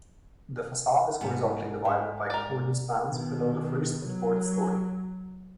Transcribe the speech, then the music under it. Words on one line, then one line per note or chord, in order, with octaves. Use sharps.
The facade is horizontally divided by cornice bands below the first and fourth storey.
G#2 G3 B3
G#2
A#4 D5
B2 D#3
F#3